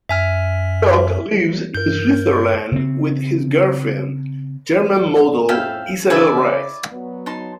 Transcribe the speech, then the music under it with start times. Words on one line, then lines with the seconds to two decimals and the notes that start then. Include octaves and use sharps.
Glock lives in Switzerland with his girlfriend, German model Isabell Reis.
0.09 F#2 E5 G#5 F6
1.74 G2 A#4 G6
2.72 C#3 C4
5.01 F2 A2
5.49 C#3 F3 A4 E5 F5 G5
6.10 C#3 D4 E4 B4 D5 E5 G#5
6.92 F#3 B3
7.26 D#4 A5 C6